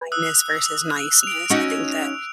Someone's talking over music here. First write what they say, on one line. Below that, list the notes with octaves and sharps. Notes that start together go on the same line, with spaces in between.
kindness versus niceness. I think that
D#6 E6 F#6
D7 F7
C#4 D#4 F#4